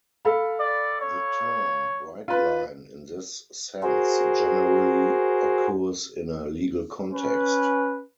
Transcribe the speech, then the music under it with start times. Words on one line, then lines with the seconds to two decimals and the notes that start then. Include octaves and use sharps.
The term "bright-line" in this sense generally occurs in a legal context.
0.25 A4 F5 B5
0.59 D5
1.01 C#5
2.28 F4 B4
3.83 F#4 G#4 A#4 C5
7.12 C#4 B4